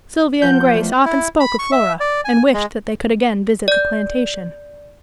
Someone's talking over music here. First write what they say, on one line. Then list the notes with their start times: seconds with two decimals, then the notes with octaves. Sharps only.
Sylvia and Grace often spoke of Flora, and wished that they could again visit the plantation.
0.42 F3 F4 A#4 F#5 G6
0.74 E2 A3 G6
1.05 E4
1.40 B5
1.59 C#6
1.72 E5
2.00 D5
2.25 G#5
2.54 G#3
3.68 D5 G6